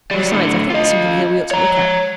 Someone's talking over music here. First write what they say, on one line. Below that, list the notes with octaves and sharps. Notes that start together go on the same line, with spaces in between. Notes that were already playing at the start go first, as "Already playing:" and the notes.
Besides I think there's something here we ought to look at.
F#3 G3
A2 D3
F4 D#5
C#5 A#5